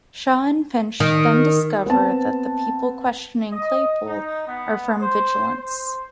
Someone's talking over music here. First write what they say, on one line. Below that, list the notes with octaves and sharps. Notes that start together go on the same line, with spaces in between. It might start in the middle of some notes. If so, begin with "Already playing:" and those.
Shaw and Finch then discover that the people questioning Claypool are from Vigilance.
D#3
B3 C4 A5
D#5
D#4
B3
C5
C5